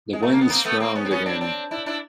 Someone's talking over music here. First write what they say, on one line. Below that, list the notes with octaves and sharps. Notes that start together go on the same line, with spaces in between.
The wind's round again.
G#3
A3
A#3
B3
A#3 C4
A3 B3
A#3 C4
B3 C#4
C4
B3 C#4
C4 D4
C4 D4
D4 E4
D4 E4